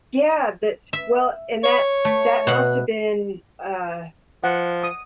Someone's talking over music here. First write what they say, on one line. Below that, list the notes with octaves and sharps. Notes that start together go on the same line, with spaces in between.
Yeah, that Well, and that that must've been, uh,
E5
C#5
A3
B2 F#5
F3 F#5
D#6